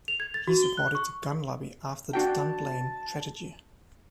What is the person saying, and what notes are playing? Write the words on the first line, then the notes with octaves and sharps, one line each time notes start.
He supported the gun lobby after the Dunblane tragedy.
F7
G#6
A6
F#4
G7
F#6
C#6
D4 F#4 G5 A5